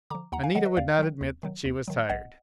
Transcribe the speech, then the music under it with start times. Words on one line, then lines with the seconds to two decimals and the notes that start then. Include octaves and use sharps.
Anita would not admit that she was tired.
0.10 D3 F3 A#5 D6
0.32 D#2 F#5 A#5
0.44 F5 G#5
0.55 D#3 F#3 D#5 F#5
0.66 B4 D#5
0.77 D#2 D5 F5
0.99 D#3 F#3
1.21 D#2
1.43 D#3 F#3
1.65 D#2
1.88 D#3 F#3
2.09 A#1 D#5 F#5